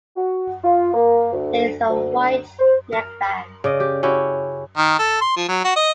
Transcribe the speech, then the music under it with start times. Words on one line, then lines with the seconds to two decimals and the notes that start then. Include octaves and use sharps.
There is a white neckband.
0.16 F#4
0.64 F4
0.94 A#3
1.33 D2
1.89 D2
2.59 C5
2.93 A#4
3.64 C#3 D5 D#5
3.80 G4
4.03 C#4 E4 F#4 G4
4.77 D#3
4.99 A4
5.21 C6
5.37 F3
5.49 F#3
5.64 F#4
5.76 D#5